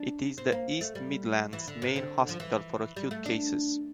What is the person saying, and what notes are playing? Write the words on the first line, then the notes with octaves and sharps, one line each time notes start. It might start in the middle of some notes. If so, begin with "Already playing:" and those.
It is the East Midlands' main hospital for acute cases.
Already playing: D4
C4
A#3
A3
G3
E3
D3
C3
D3
F3
E3
G3
A3
D4